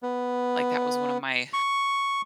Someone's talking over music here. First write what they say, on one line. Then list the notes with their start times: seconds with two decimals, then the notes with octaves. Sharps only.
like, that was one of my
0.03 B3
1.53 C#6